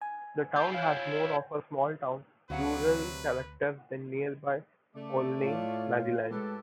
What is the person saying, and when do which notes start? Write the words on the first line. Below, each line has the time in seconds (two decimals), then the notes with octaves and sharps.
The town has more of a small town, rural character than nearby Olney, Maryland.
0.02 G#5
0.56 E4 F4 G6
0.74 C#5 F5
2.50 D2 C3 F#3 F#4 B4 F5 F#5
4.95 C#3 A3 D5
5.43 A2 F4 C#5
6.31 A2 G#3 G4 A4 B4